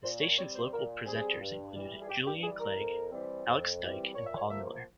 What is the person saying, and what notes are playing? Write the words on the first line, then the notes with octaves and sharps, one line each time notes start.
The station's local presenters include Julian Clegg, Alex Dyke and Paul Miller.
A#2 C5
C#5
G3 C4 C#5
C5
A#2 A#4
G3 C4 G#4
G2
E3 G3
G#4
G2 G4
G4
E3 G3 G#4
A#4
F2
E3 G3 C4
F2
E3 G3 C4
A#2 C#5
E5
C#5
F3 A#3 E5